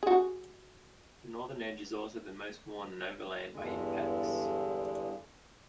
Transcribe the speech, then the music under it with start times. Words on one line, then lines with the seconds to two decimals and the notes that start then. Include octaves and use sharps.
The northern edge is also the most worn and overlain by impacts.
0.03 F#4 G#4
3.52 E2 G2 D3 G#3